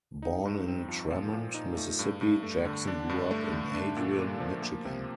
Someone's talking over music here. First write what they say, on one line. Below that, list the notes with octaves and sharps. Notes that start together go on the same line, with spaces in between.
Born in Tremont, Mississippi, Jackson grew up in Adrian, Michigan.
D#4
G2
C4
F3
A#2
A#2
D#4
A3
G2
G2
A3
D3
D4
G2
A3
D3
D4
A#2
A#3
F3
A#3
C3